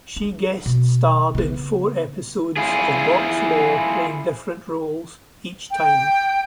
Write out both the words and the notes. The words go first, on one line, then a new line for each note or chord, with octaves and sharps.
She guest-starred in four episodes of "Burke's Law", playing different roles each time.
D4
B2
C#3 B3
E4 F4 G#4
G5